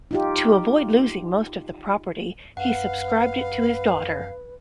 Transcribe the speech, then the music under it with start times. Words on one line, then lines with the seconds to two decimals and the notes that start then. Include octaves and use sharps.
To avoid losing most of the property, he subscribed it to his daughter.
0.11 D#4 F4 G4
2.57 F#2 B4 F5 F#5